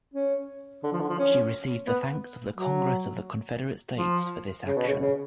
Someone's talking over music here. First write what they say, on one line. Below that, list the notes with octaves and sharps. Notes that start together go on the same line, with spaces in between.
She received the thanks of the Congress of the Confederate States for this action.
C#4
D3
F3
D3
F3
C#4
B3
F#3
F3
C#3
B2
C#3
C#3